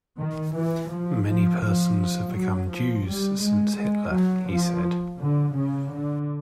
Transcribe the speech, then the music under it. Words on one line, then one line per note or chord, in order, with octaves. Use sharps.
"Many persons have become Jews since Hitler," he said.
D#3
E3
F3
F3
F3
F#3
F3
G3
G#3
G#3
F#3
F3
D3
C#3
D3